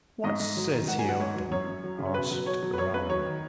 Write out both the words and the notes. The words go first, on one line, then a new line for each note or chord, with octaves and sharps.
"What says he of them?" asked Raleigh.
G#2 D#5
G#2
F#3
D#3
G#2 F#5
G#5
F#3
F#5
G#2 C#5
F#3
F#2 C#5
F#2
F#3
C#3
C#5
B2 B4
F#3
B2 C#5
F#3
B4
F#2 C#5
F#2 B4
F#3 C#5
D#3